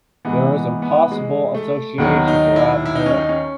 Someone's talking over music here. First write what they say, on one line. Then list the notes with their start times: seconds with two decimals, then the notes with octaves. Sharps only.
There is an possible association to Robin Hood.
0.25 G#2 E3 B3
0.53 B3
0.82 B3
1.11 G#3
1.55 A3
1.98 D#2 D#3 F#3 B3
2.28 D#4
2.56 E4
2.86 E4
2.95 D#4
3.06 C#4
3.17 D#4
3.29 C#4